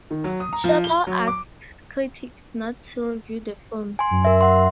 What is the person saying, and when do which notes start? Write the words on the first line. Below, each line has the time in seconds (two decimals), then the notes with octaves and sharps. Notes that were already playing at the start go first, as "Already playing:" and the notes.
Chappelle asked critics not to review the film.
0.11 D#3
0.24 F#3
0.40 D#6
0.53 A#5
0.64 F3
0.84 G7
1.07 F#3
1.27 D6
3.99 G#5 C6
4.11 F#2
4.25 A#4 E5
4.41 E5 F#5 C6